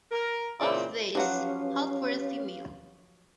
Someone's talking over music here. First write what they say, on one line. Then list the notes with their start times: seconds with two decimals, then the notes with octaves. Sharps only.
Of these, half were female.
0.12 A#4
0.60 A#2 C#3 E3 C4 F4 D5
1.15 F3 F#3 C#4 G4 B4 F5 F#5